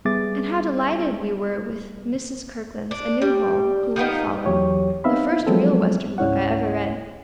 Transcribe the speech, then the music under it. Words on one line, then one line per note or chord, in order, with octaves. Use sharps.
And how delighted we were with Mrs. Kirkland's "A New Home: Who'll Follow?" the first real Western book I ever read.
G3 B3 G#4 E5 D6 A6
D4
G3
D#3 F3 B3 D#4
E2 F#3 G4 C#5
B3 C4 D#4 E5 F5 B5
F3 F#3 G#3 B3 C4 A4
C#2 G#2 C#4 E4 C#5 F#5